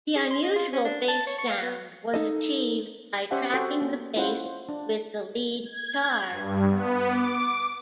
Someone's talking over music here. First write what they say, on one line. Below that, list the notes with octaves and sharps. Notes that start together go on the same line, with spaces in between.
The unusual bass sound was achieved by tracking the bass with the lead guitar.
G#4
C6
D#5
F4
C#4
D4
A5
C#5
C#6
F5
B3
D#4 A4 D#5
C#4 G4 C5 E5 F#5 G#5
C4 F#4 A4 C5 G5
A#3
C#4 E4 F4 C5 F#5
C5
D4
G#6
G2
B3
D6